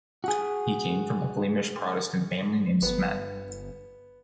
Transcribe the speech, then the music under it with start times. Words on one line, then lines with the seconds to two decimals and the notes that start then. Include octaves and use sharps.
He came from a Flemish Protestant family named Smet.
0.24 F#4 G#4
2.82 G1 B3